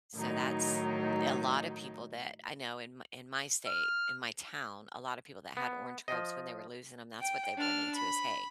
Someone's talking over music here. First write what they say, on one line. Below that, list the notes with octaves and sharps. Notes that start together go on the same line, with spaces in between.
So that's A lot of people that I know in my in my state, in my town, a lot of people that had orange groves, when they were losing 'em, that's what they went into was hay.
A2 D#3 F#3 D#4
F6
B3
F3 D#5
G5
D4 F6
B5